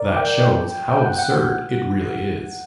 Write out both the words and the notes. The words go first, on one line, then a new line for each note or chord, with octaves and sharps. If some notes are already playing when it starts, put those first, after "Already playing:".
That shows how absurd it really is.
Already playing: A#4 D5
G5
G5
F#5
F#5
F#5